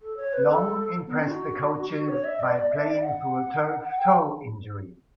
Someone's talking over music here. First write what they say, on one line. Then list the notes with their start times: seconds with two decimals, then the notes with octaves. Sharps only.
Long impressed the coaches by playing through a turf toe injury.
0.01 A4
0.16 C#5
0.33 B4
0.49 A4
1.06 B3
1.17 D4
1.28 F#4
1.92 F#4
2.08 C#5
2.24 E5
2.39 D5
2.55 D5
2.71 E5
2.87 D5
3.03 F#5
3.82 F#5
3.98 G5